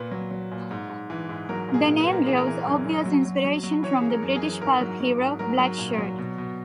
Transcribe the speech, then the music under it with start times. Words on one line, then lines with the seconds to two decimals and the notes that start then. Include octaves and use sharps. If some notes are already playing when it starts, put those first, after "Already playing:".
The name draws obvious inspiration from the British pulp hero, Blackshirt.
Already playing: A#2 B4
0.11 F#3
0.31 F#3
0.51 A#2
0.71 G#2
0.89 G#2
1.10 E3
1.29 G#2
1.49 F#3 A#4
1.68 A#2
1.74 G#4
1.87 A#2
2.00 B4
2.07 A#2
2.13 A#4
2.26 E3 G#4
2.38 A#4
2.47 E3
2.67 F#2
2.85 F#2
3.06 F#3
3.25 F#3
3.44 F#3
3.64 F#3
3.83 E3 C#5
4.01 F#2 G#4
4.10 A#4
4.23 F#2
4.36 G#4
4.41 E3
4.61 G#2 A#4
4.81 F#3
5.00 F#3
5.20 G#2
5.39 F#3 A#4
5.59 F#3
5.78 A#2
5.98 F#3
6.18 B2
6.38 B2